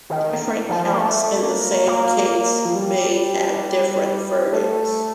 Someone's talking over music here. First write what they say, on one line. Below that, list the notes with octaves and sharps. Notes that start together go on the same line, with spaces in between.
Different counts in the same case may have different verdicts.
D#3
F3
A#3
A3
A#3
A#3
F3
G3
A3